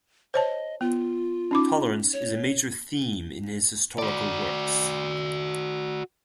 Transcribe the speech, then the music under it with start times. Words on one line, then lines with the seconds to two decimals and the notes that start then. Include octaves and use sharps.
Tolerance is a major theme in his historical works.
0.34 C5 C#5 D#5 A5
0.81 B3 F4
1.51 C#4 D#4 D6
2.13 C#5
3.98 F#4 D5